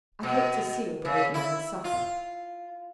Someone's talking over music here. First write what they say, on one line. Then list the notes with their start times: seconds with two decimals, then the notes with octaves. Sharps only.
I hate to see a brave man suffer.
0.23 B2
1.05 C#3
1.34 E4
1.84 F4